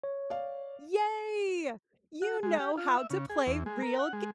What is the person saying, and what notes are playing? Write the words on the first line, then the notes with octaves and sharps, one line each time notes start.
Yay! You know how to play real
C#5
D5 F5
F#4
G#3
G4
F4
E5
C#3
G#4
E2
G#3
A#4
F#5
G#3